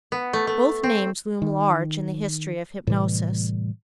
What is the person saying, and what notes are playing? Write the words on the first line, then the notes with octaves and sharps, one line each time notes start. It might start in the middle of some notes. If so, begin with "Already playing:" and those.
Both names loom large in the history of hypnosis.
B3
A3
A3
C4
D#3
A2 C3 E3 G3